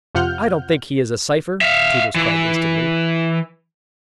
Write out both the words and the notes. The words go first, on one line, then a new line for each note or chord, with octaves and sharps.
"I don't think he is a cypher," Tootles cried instantly.
F2 C3 F4 F#5 F6 G6
E5 F5
E3